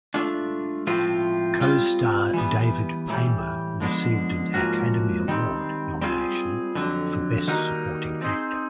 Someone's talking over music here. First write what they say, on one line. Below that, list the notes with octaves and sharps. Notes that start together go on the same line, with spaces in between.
Co-star David Paymer received an Academy Award nomination for Best Supporting Actor.
A3 D4 F4
A2 F3 A3 C4 F4
G3 C4 F4
E3 G3 B3
A2 E3 G3
D3 F3 G#3 B3 D4
G#2 F3 A#3 C#4 F#4
D#3 G3 C4
G3 C4 F4 G#4
F2 D3 F#3
D#3 G3 A#3 D#4 F#4
A3 C4 D#4 G#4 C5